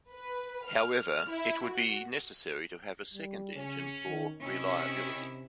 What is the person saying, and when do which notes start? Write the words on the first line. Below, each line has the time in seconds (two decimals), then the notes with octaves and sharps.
However, it would be necessary to have a second engine for reliability.
0.10 B4
0.65 F6
0.94 F6
1.30 E4
1.66 F#4
3.14 G3
3.55 C#3 C#4
4.07 D#3
4.40 C3 D#3 C#4 E4
5.13 C3